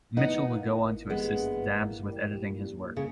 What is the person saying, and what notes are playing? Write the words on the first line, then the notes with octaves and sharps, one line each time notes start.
Mitchell would go on to assist Dabbs with editing his work.
E3 B3 D#4
A#3
G#1
G2 G#3 B3
E3
A#3
G3
A#1
A#1
C#3